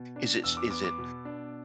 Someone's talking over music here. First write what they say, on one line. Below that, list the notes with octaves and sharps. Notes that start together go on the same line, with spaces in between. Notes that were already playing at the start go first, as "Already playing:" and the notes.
Is it s is it,
Already playing: B2
D4
E2 E6
D6
B3 D6
D6
B2
D4